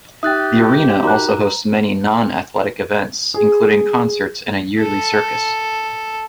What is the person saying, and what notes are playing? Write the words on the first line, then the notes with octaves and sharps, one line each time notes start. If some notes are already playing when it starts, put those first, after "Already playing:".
The arena also hosts many non-athletic events including concerts and a yearly circus.
D#4 G4 E5 G5 D#6 F#6 A6
D#4 F#4 A#4 A#5 B5 D6 F#6
G#4
A4